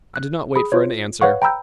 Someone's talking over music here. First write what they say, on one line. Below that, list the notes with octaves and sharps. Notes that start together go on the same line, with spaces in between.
I did not wait for an answer.
F#6
G#4 B5
F4 C5 C#5
B4 C#5 F5 F#5 C#6
G5 A#5 B5 E6 G6